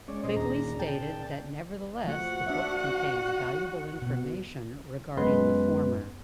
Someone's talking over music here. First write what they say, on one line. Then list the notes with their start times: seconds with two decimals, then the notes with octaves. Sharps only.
Quigley stated that nevertheless the book contains valuable information regarding the former.
0.08 G#3 C#4 C#5 D5
0.23 A#2 G#4 C5 D#5
0.36 D#2 D4 A#5
0.79 G5 A5
1.07 A#4 D5
2.05 F3 A3 F#4 F#5
2.47 D4 D5 E5
4.02 B2
5.17 F#2 G#3 B3 B4 C6 F#6